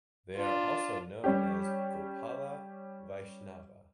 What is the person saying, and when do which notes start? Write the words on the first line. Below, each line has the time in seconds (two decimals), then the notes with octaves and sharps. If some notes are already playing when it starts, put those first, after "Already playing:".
They are also known as Gopala Vaishnava.
0.36 D4 F4
1.24 G3 C#4 G4